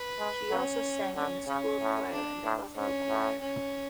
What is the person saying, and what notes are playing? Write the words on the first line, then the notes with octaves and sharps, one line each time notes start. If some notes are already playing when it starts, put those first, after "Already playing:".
She also sang in a school choir and a gospel choir.
Already playing: B4
G#3
F#3 C#4
D3 C#4
C#3 C#4
A2
D4
A2
G#2 C#4
A2
C#4